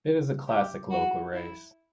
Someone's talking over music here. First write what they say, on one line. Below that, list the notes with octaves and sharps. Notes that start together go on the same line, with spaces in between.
It is a classic local race.
G4
F#4
E4